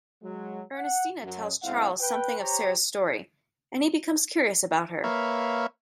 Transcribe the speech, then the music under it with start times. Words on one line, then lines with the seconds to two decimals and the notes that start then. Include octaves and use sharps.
Ernestina tells Charles something of Sarah's story, and he becomes curious about her.
0.23 F#3 G#3
0.75 F#5
1.23 F#2 F#3
1.62 B1 G#3 C4 E4 F5 F#5
2.00 B4 G5
2.39 G4 C5 C#5 A#5
5.04 A#3 B4 C#5 E5 F5